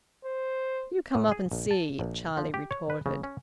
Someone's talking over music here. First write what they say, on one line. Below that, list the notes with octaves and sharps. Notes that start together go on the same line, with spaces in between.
"You come up and see," Charlie retorted.
C5
A2
G#4
A#1
A5
A#1
F3
G4
C#5
B4
C#3
C#4